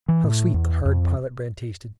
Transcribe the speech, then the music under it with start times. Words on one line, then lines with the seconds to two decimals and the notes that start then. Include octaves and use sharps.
How sweet the hard pilot-bread tasted!
0.08 E3
0.24 A2
0.54 E2
0.85 F2